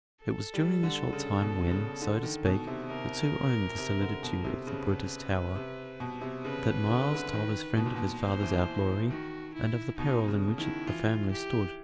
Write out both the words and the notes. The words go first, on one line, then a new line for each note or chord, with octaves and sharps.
It was during the short time when, so to speak, the two owned the solitude of the Brutus Tower, that Myles told his friend of his father's outlawry and of the peril in which the family stood.
A4
G3
D3
C#3
B2
C#3
D3
D#3
B2
C3
C3 A#4
C3
D3
B2
C3
C#3 B4
C3
B2
C3
C#3 B4
D3
C#3
D3
D#3
B2
A#2
B2
C5
E3
D#3 F#4
E4
B2 D#4
C#3
D#3 E4
E3 F4
G4